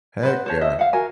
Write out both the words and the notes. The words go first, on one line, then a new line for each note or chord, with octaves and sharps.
Heck yeah.
B4 C5 F#5
C5 C#5 A5
D#5 E5
F5 F#5
F#4 A#4 G#5